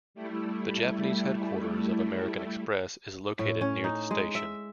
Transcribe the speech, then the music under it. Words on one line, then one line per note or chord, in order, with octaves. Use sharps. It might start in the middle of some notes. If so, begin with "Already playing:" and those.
The Japanese headquarters of American Express is located near the station.
G3 A3 E4
A2
C#4
D#4
G#3
E5